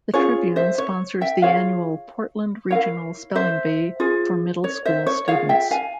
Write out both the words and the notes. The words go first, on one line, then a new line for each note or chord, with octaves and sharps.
The "Tribune" sponsors the annual Portland Regional Spelling Bee for middle school students.
C#4 F4 G#4 C#5
C5 E5
C#5
E5 G5
F4 G#4 C#5 F5
E4 A#4 C#5 F5
C5 E5
F4 G#4
C#5
C5 E5
C#5
F4 G#4 C#5 F5
E5 G5
F5 G#5